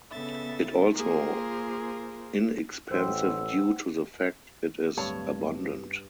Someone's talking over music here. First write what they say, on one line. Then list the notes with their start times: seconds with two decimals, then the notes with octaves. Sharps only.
Its also inexpensive due to the fact it is abundant.
0.11 C#3 B3 A4 E5 A6
0.94 A#3 F4 G#4 A#4 C5
2.91 A1 G3 B3 C5 E5
4.97 D1 G2 C#5 A5